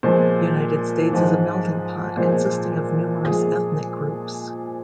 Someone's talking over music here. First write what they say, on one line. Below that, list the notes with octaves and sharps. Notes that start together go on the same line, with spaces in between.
The United States is a melting pot consisting of numerous ethnic groups.
A#2 F3 G#3 C5
G#2 F3 G#3
A#2 F3 G#3 C5
A#2 F3 G#3 G#4
G#4